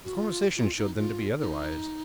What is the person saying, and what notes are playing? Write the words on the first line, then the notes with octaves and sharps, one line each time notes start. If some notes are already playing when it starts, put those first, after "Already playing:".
His conversation showed them to be otherwise.
F#4
F4
F4
D#4
F4
D#4